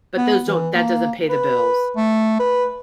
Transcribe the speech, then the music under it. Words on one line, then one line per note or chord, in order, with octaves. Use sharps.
but those don't that doesn't pay the bills.
B3
E3
A#3
B4
A3
B4